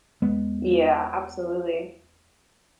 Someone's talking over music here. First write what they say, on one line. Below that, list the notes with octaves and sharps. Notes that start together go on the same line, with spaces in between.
Yeah, absolutely.
E2 G#3 B3